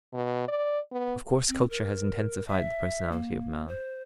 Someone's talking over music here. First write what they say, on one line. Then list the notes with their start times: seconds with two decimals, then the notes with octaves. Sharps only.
Of course, culture has intensified the personality of man.
0.13 B2
0.48 D5
0.92 B3
1.48 C4
1.70 A#4
2.47 E5
3.12 A#3
3.68 C5